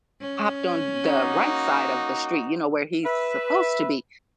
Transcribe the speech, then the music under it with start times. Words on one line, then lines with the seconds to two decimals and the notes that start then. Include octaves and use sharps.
hopped on the right side of the street, you know, where he's supposed to be,
0.21 C#4
1.04 A#3 D#4 F#4
3.05 B4 E5